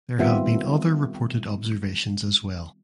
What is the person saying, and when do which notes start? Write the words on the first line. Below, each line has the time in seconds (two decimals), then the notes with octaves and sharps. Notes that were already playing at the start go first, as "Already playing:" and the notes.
There have been other reported observations as well.
0.18 D#3 G3 B3 C4 F4 E5